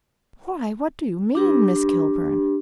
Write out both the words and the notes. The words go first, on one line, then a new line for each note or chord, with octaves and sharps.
"Why, what do you mean, Miss Kilburn?"
D4 G4